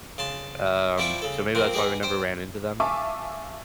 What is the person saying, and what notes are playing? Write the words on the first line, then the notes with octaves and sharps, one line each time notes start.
Um, so, maybe that's why we never ran into them,
C#3 A5 C6
F3 E4 D5 G5 B5 C#6
C#3 A4
F3 A#3 C4
G4 G#4 B4 D#5 F#5
C5 G5
E5 F5 G#5 A5 C#6 D6